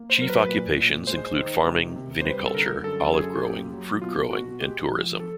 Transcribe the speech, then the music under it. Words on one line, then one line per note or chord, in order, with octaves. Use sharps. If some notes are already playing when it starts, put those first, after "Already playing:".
Chief occupations include farming, viniculture, olive growing, fruit growing and tourism.
Already playing: A#3
C5
F#3 A#4
B4
A#2
A#2
G#3 C5
D#3
C3
C3
C5
G3 B4
A4
D3 A#4
F#2 A4
F#2 G#4
A4
G#4
A#3 G4
F#3
B2 F4
B2 F#4
G#3 G4
F3
A4